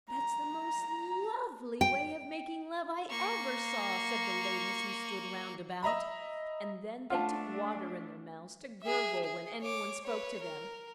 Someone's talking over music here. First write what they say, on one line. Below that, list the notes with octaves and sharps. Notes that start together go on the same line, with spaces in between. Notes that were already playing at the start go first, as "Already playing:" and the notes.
"That's the most lovely way of making love I ever saw!" said the ladies who stood round about, and then they took water in their mouths to gurgle when any one spoke to them.
A#5
G5
A#3 C#6
D#5 E5 A#5 B5
A3 D4 F4 F#5 A5
G#4 E5
G#4
C#5 D6
B4 C#5
A#4